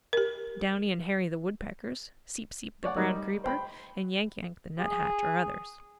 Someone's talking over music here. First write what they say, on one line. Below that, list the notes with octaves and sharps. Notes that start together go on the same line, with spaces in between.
Downy and Hairy the Woodpeckers, Seep-Seep the Brown Creeper and Yank-Yank the Nuthatch are others.
G4 A#4
C#5 D5 F#5
G3 D#4 A#4
C5 G5 B5
G#4